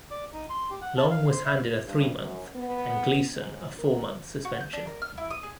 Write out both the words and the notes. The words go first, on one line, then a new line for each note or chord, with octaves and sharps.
Long was handed a three-month and Gleeson a four-month suspension.
D5
D#4
C6
G4
F#5
A5
F5
C5
E5
G2
F#2
B3
G#2
A#4
F#4
G6
D4
A#4
F6
E4
D#6
G#4